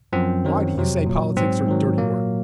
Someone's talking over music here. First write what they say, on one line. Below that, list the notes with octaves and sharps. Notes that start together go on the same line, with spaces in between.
"Why do you say politics are dirty work?"
F#2 F3 C4
F#2 D#3 F#3
F2 C3 F#3
A#2 F#3
G#2 F#3 C4
G#2 D#3 F#3
A#2 F#3 A#3